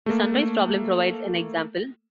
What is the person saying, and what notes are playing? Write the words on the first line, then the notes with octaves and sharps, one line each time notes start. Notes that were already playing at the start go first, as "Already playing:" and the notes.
The "sunrise problem" provides an example.
A3 A#3